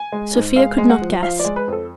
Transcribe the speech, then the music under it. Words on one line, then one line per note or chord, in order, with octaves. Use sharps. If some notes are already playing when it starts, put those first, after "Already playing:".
Sofia could not guess....
Already playing: G#5
G#3
G#2
G#3 F5
G#3
F#5
F3
F3 F5
D5
G#3
B4
F2 A4